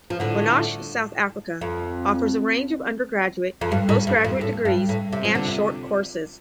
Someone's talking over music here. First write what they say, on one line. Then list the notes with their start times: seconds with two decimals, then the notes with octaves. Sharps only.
Monash South Africa offers a range of undergraduate and postgraduate degrees and short courses.
0.10 F3
0.20 A2 D3
1.61 F2
3.61 F2
3.72 G2
3.89 A2
4.07 G2
4.24 F2
4.41 A2
4.65 G2
4.89 A2
5.13 C3
5.25 F3
5.35 D3
5.48 C3